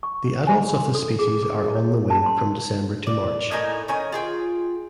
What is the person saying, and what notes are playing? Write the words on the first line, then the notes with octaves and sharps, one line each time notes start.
The adults of this species are on the wing from December to March.
C#6
G#5
C6
A4
G#4
G#4
C#5
A5
C6
D5
A2 A#3 D#4 G#5
D#3 C#4 D#5 G#5
F4 G#4 G5